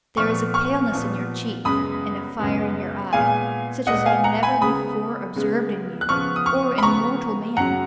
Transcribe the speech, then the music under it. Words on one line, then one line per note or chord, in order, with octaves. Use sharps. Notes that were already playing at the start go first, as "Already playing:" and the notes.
There is a paleness in your cheek, and a fire in your eye, such as I never before observed in you, or in mortal man.
A#2 F3 B3 C#6 F6
C#6 F6
A#2 F3 B3
F#2 C#3 G#3 B3 B5 D#6
F#2 C#3 G#3 B3
A#2 G#3 B3 F5 G#5
A#2 G#3 B3 D#5 F#5
F5 G#5
F#5 A#5
G#5 B5
C#3 G#3 B3 B5 D#6
C#3 G#3 B3
F#6
C#3 F3 B3 C#6 F6
D#6
C#6 F6
B5
C#3 F3 B3 A#5 C#6
F#2 C#3 F#3 F#5 A#5